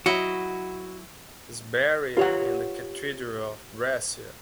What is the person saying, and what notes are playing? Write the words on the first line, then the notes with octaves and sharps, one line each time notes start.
He is buried in the Cathedral of Brescia.
F#3 E4 F#4 D#5
F4 G4 B4 C#5 F#5